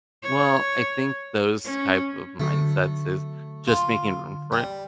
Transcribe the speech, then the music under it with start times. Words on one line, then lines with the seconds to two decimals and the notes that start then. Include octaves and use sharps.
Well, I think those type of mindsets is just making room for it
0.22 C#5
1.64 C#4
2.40 D3 F#3 A3
3.67 F4
4.52 G3